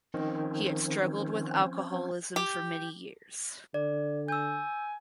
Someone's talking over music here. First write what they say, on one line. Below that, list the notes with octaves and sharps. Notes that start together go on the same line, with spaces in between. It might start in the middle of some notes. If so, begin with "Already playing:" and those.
He had struggled with alcoholism for many years.
D#3 F3 C4 C#4
G4
D3 D5
G#5 E6 G6